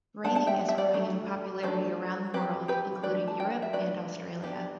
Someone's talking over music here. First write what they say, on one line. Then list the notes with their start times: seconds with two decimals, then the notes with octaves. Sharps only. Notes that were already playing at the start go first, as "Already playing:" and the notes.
Reining is growing in popularity around the world, including Europe and Australia.
0.24 G3 B3 D4 F#5 A5
0.35 F#5 A5
0.47 E5 G5
0.59 F#5
0.68 E5
0.78 D5 F#5
0.94 F#3 A3 D4
1.63 F#3 A3 D4 A4 C5
2.34 F#3 A3 C4 G4 B4
2.68 G4 B4
3.03 E3 A3 D4 B4 D5
3.28 A5
3.40 G5
3.50 F#5
3.62 E5
3.73 F#3 A3 D4 B4 D5
4.43 E3 B3 D4 E4 G4